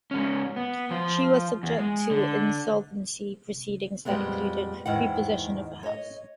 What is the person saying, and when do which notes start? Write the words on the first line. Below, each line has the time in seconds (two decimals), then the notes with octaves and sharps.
She was subject to insolvency proceedings that included repossession of her house.
0.11 G#2 C#4
0.56 B3
0.91 F3 C5
1.63 E2
1.79 G#3
2.11 D3
4.05 F2 A#2 G3 G#3 B3 C4
4.86 E2 G#2 D#3 F#5
5.83 C#5 D#5